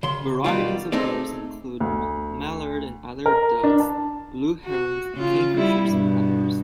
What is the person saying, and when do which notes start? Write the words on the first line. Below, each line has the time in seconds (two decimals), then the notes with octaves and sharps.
Varieties of birds include mallard and other ducks, blue herons, kingfishers and others.
0.03 C#3 C6
0.44 B2 D#3 G3 F4
0.92 A3 C4 D#4 G#4 D5
1.80 D2
3.26 A#4
3.63 D4
3.80 A5
4.66 F#4
5.16 C#3 F4
5.57 G3 E4
5.89 G2 B2